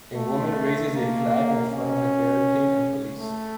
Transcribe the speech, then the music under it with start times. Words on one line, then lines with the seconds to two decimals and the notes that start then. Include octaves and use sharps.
A woman raises a flag in front of a barricade and police.
0.16 A3
0.92 A#3
1.67 C#4
3.19 A3